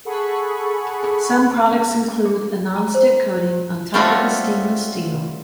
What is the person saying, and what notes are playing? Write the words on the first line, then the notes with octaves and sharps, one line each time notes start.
Some products include a nonstick coating on top of the stainless steel.
G#4 A4 F#5 B5 C#6
C#4
G#4
A#5
C5
G3 A3 C4 C#4 F4 F#4